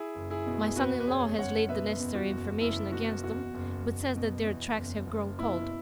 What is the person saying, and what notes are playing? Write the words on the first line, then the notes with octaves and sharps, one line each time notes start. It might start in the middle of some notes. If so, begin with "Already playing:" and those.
My son-in-law has laid the necessary information against them, but says that their tracks have grown cold.
Already playing: E4 G#4
F#1
E4 G#4
B2
G#4
E2 F#4 B4
B4
F#1 G#4 C#5
F#1 C#5 F#5
B2 B4 E5
E2
F#4
F#1
F#1 E4
B2 F#4
E2 F#4
F#1
F#1
B2
E2
F#1
F#1
B2 E4